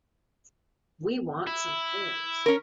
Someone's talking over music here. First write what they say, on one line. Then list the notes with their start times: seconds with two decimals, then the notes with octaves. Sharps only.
We want some pears.
1.47 E4
2.46 C#4 A#4